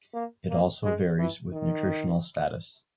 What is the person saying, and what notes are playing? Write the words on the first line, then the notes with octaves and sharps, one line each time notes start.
It also varies with nutritional status.
A#3
A#3
G#3
E3
D#3